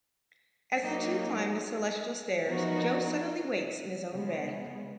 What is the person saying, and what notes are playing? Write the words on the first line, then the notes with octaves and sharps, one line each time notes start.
As the two climb the Celestial Stairs, Joe suddenly wakes in his own bed.
F#3 A#3 D#4
F3 B3 D#4 F#4 A#4
C#3 G#3 B3